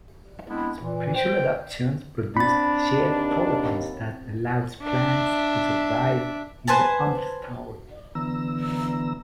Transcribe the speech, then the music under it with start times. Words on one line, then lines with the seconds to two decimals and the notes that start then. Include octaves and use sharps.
Special adaptations produce the shade tolerance that allows plants to survive in the understory.
0.49 G#3 B3 C4 D4 E4
0.80 A#2 E3
1.15 C5 G5
2.37 C4 D4 B5 A6
2.99 D#2
4.83 D4 E5
6.68 B4 C5 G#5 A5
8.15 D3 E3 B3 A#5 E6